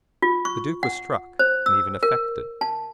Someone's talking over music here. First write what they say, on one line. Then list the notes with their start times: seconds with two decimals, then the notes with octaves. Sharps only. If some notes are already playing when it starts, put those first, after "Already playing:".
The Duke was struck, and even affected.
0.22 F4
0.45 C#6
0.83 F#5
1.39 C5
1.66 E6
2.03 A#4
2.61 A5